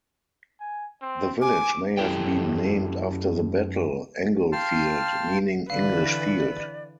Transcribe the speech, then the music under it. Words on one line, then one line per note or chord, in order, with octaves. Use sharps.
The village may have been named after the battle, Englefield meaning "English field".
G#5
C4
G#5 D6
F#2 E4 G4 A4 G5
F5 G5 A5 C6 F6
D3 E3 B4 D5 F5